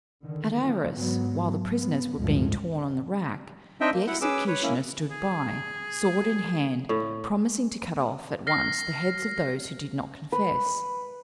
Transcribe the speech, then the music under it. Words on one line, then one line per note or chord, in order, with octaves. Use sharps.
At Arras, while the prisoners were being torn on the rack, the executioner stood by, sword in hand, promising to cut off at once the heads of those who did not confess.
D3 D#3
F3
G#2 F#3 B3
B3
A1 D2 G2 F3 G#3
C4 D4 D#4 D#5 E5 G5
A#3
E4 F#5
C#4 G#4 B4 D6 E6
B4 C#5
A#3 C#4 E4
G#4
A2
F6 A#6 C7
B4